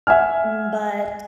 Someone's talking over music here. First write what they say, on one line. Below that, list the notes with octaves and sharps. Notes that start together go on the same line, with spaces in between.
Mm, but
E5 F#5 G#5 F6